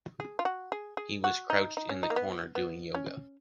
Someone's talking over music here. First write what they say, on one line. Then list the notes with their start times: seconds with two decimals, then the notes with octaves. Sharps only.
He was crouched in a corner doing yoga.
0.20 G#4
0.39 F4
0.45 F#4
0.72 G#4
0.97 G#4
1.24 F#4
1.50 D#4
1.77 D#4
1.89 C#4
2.03 D#4
2.10 A#3
2.16 B3
2.55 B3
2.95 C#4